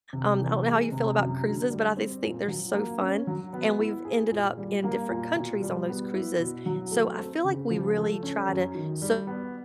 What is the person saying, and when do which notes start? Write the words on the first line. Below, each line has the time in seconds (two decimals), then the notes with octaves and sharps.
um, I don't know how you feel about cruises, but I just think they're so fun, and we've ended up in different countries on those cruises, so I feel like we really try to soak
0.13 C3
0.40 E3
0.65 G#3
0.92 C3
1.18 F#2
1.43 D3
1.70 G3
1.97 C4
2.23 A#2
2.48 F#3
2.74 A#3
3.00 C#4
3.27 F#3
3.53 B3
3.79 E4
4.05 G#4
4.31 A#2
4.58 G3
4.84 A#3
5.10 A#2
5.36 B2
5.62 G3
5.88 B3
6.14 E4
6.39 B2
6.66 F#3
6.92 A3
7.19 C4
7.44 C#3
7.70 F3
7.97 A3
8.23 C#4
8.49 F#2
8.75 D#3
9.02 G3
9.27 B3